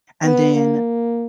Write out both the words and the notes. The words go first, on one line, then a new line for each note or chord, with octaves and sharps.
and then
B3
A#3